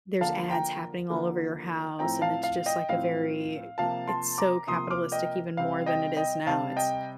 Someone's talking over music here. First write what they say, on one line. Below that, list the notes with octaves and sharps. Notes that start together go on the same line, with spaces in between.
there's ads happening all over your house, and it's just like a very i it's so capitalistic, even more than it is now, it's
D3 F3 A#3 F5 A5
G5 A#5
D3 F3 A#3
A2 F3 C4 G5 A#5
F5 A5
F5
D#5 G5
A2 F3 C4 F5
C3 F3 A#3 F5 A5
A5 C6
A#5 D6
C3 F3 A#3 C6 D#6
D6 F6
D#5 G5
C3 G3 C4 F5
D#5 G5
D#5 G5
C3 G3 C4 F5 A5
D#5 G5